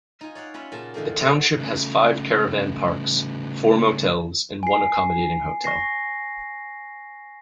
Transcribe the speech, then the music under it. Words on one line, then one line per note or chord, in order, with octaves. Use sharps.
The township has five caravan parks, four motels and one accommodating hotel.
D#4 F4 G#5
C#5 D5 F5 F#5
C#4 F4 E5 B5
A#2 C#3 F4 F#4 A5
D3 D#3 F3 A3 A#3
A#2 D3 F#3 A#3 B3
C#3 A3
G#5 C7
C#6 A#6 C7